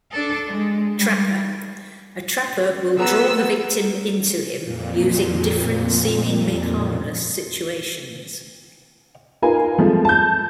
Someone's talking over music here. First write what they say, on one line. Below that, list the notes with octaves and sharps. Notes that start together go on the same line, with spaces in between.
Trapper: a trapper will draw the victim into him using different seemingly harmless situations.
D4 A4
G#3
G3
B3 F#4 G#4 A#5 E6
F2 A#2
D#4 F4 A#4 B4 G#5
F3 G#3 A3 C4
A5 G6